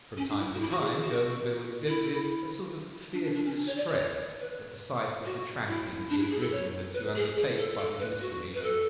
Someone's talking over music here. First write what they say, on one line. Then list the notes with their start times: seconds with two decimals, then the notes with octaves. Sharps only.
From time to time d'Urberville exhibited a sort of fierce distress at the sight of the tramping he had driven her to undertake by his misdemeanour.
0.17 C#4
0.28 D4
0.38 E4
0.53 F#4
0.60 E4
0.70 F#4
0.80 G#4
0.91 G#4
1.02 F#4
1.86 E4
3.13 D4
3.23 D4
3.34 D4
3.45 C#4
3.55 D4
3.66 C#5
3.76 D5
3.87 C#5
4.40 B4
5.25 F#4
5.67 E4
6.09 D4
6.20 E4
6.30 G#4
6.40 A4
6.52 C#5
6.93 B4
7.15 G#4
7.36 G#4
7.57 A4
7.78 A4
7.99 B4
8.20 F#4
8.54 B4
8.62 A4